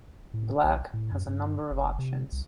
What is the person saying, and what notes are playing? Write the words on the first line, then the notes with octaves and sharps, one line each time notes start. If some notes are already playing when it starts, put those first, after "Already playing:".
Black has a number of options.
A2
B1
A2
F#2
G2
F#1
C3
C2